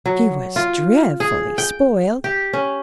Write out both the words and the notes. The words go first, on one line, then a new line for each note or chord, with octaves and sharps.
She was dreadfully spoiled.
F#3
F4
G#4
G5
G4
C#4